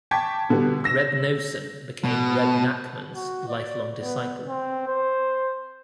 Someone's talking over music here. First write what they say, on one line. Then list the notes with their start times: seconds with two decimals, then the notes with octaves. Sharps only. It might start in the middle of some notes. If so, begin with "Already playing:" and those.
Reb Noson became Rebbe Nachman's lifelong disciple.
0.11 G5 A5 C#6 D6 G#6 B6
0.49 B2 D3 G3 B3
0.84 E6 A#6 E7
2.04 B2
3.15 F#4
3.49 D5
4.02 B3
4.48 C4
4.88 C5